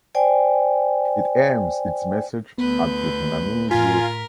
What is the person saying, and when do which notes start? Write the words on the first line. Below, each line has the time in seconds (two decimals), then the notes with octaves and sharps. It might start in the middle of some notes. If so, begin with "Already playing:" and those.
It aims its message at Vietnamese youth.
0.15 C5 D5 G5 G#5
2.58 D2 B3 B4 G6
3.71 A2 F4 A#4 G#5 B6